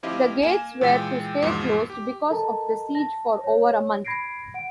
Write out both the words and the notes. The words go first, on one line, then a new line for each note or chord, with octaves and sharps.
The gates were to stay closed because of the siege for over a month.
F3 C4 E4 G4 D#5 F5
A#3 G#5 E7
A#2 E3 G#3 G5 E6 A6
E2 G#2 B2 F3 A#3
G4
A4 A#4 D#5 A5 A#5
A5 A#6
C#5
B5 G#6 A#6 C7 D7
F#5 D7